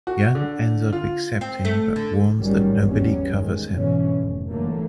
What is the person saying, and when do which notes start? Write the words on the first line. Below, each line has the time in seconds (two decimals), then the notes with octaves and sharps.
Young ends up accepting but warns that nobody covers him.
0.07 F#4
0.35 D3
0.93 F4
1.41 C4
1.65 A3
1.96 D3
2.39 A1 G#2 D#3 F#3 G3 C#4
2.82 G#1 E2 F#3 G3 B3 C#4
3.32 D#3 G#3
3.73 G1 G#2 B2 D3 E3 C#4
4.20 F1
4.49 G1 D3 E3 F#3 A3 A#3